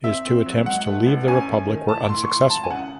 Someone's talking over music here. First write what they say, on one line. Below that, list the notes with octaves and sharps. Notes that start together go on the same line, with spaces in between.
His two attempts to leave the republic were unsuccessful.
C4 E5
C4
F#3
G#2 F#5
A3
A1
C#4 G#5
A3
D#3
A2 A5
A2 C6
C#6
A2 C6
G#1 A5
G#5
C#3 F#5